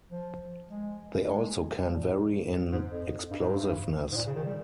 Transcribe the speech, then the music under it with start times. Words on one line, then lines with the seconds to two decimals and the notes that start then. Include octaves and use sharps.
They also can vary in explosiveness.
0.11 F3
0.70 G#3
1.27 G#3
1.85 F3
1.95 A#2
2.05 G#2
2.72 G#2
2.92 F2
3.30 G2
3.40 G#2
3.49 G2
4.12 G#2
4.16 A#2
4.27 C#3
4.35 D#3
4.46 G3